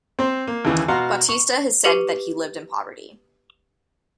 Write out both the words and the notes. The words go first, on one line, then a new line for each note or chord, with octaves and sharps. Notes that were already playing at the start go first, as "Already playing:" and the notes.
Bautista has said that he lived in poverty.
C4 C5
A#3
D#2 C#3 E3
B2 F#4 F5 A#5 C6
C#6
G4 B4 D6 C#7 F7 F#7